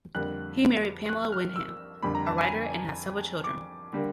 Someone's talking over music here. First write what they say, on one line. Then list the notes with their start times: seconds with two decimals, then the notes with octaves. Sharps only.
He married Pamela Wyndham, a writer, and had several children.
0.15 F2 D3 G3 A#3 F#6
1.09 F#6
1.32 F6
1.56 E6
2.02 F2 D3 G3 A#3 B5
2.15 A#5
2.26 A5
2.38 G#5
3.44 D6
3.93 D3 G3 A#3